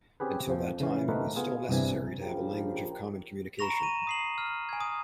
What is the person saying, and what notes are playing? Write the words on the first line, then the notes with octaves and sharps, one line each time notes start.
Until that time it was still necessary to have a language of common communication.
C4 C#4 G4 G#4 B4
F2 F3 G5
C#3 E3 C#4
A3 A#3 C4 D#4 A#4 B4
B3 F4 G#4
C2 G2 C3 E3 G#5
A#1 C#3 F3 G4 A#4
A#5 B5 C#6 A#6 F7
D#7 E7
D#6 C7 F#7
F6
G#5 G#6
D#6